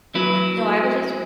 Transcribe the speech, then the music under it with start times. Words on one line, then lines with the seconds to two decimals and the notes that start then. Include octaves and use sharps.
No, I was just
0.15 F#3 E4 B4